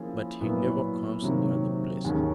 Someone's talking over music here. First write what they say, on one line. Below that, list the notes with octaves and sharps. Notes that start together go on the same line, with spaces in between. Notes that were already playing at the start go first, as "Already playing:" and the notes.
But he never comes near the place.
Already playing: F3 A#3 C#4 E4 G#4
A#2 F#3 B3 E4
C3 D#3 F#3 A#3
D#2 D#3 G#3 C#4